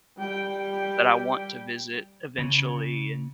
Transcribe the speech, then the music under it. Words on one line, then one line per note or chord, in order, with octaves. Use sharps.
that I want to visit eventually and,
G3 G5
C#3